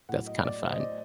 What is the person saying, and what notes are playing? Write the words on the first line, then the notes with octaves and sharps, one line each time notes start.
that's kind of fun
A2 F#3 F#5
D#5
D5
C5
D#5
D5